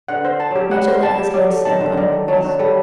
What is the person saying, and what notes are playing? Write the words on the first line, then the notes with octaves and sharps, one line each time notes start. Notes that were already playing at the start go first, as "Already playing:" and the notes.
Mitya let his head sink on her breast.
D3 F#5
C5
A5
F#3 G4
G3 F#5
C5
G3 A5
G4
F#3 D5
A4
D#3 A5
D3 D4
D#3 D5
A4
F#3 A5
D4
G3 A4